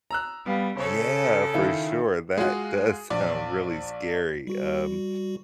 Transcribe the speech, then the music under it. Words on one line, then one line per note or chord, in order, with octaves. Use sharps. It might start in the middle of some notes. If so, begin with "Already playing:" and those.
Yeah, for sure. That does sound really scary. Um,
A#5 E6 F#6
G3 B3 F5
C#3 A4 C5 C#5
D#3 E4 F4
G#3 F4 F#4 G#4
A#1 D5 D6
G3 F#4